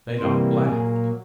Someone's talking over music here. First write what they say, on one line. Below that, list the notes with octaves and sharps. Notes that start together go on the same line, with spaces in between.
Zadok laughed.
C3 E3 G3 A#3 C5
A#2 F#3 A#3 G#4